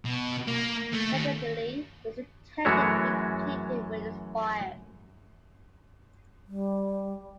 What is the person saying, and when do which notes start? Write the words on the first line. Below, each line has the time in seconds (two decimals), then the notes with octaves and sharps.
Secondly, it was intended to be completed with a spire.
0.05 B2
0.47 A#3
0.93 A3
1.12 D#2
2.65 F#2 E3 G#3 A3 F#4 C#5
6.48 G3